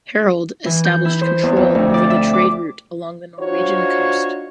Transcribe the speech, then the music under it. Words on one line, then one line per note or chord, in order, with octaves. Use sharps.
Harald established control over the trade route along the Norwegian coast.
E3
G6
E4
C5
E2
F2
D2
D5
E5
D6
D4 D#4 F4 F#4 C5 C#5